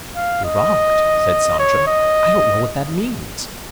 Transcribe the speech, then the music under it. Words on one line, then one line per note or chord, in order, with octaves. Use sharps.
"Eruct!" said Sancho; "I don't know what that means."
F5
D#5
C#5
D#5